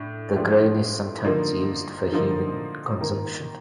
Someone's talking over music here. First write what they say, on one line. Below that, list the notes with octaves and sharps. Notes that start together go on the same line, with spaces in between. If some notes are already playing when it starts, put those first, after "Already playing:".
The grain is sometimes used for human consumption.
Already playing: A2 D4
A2 F3 A3 D4 G4
D3 F3 A#3 D#4
D3 F3 A#3 D#4
D#3 A#3 D#4